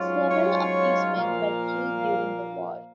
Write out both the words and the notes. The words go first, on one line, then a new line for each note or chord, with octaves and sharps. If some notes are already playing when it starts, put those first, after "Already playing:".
Several of these men were killed during the war.
Already playing: G#2 F#3 C#4 F4
C#5
A#2 F3 A#3 F5